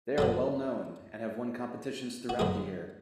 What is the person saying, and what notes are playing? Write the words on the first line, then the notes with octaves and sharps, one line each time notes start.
They are well-known and have won competitions throughout the year.
F#2 D3 F#3 A4
F#4
F#2 D3 F#3 G#4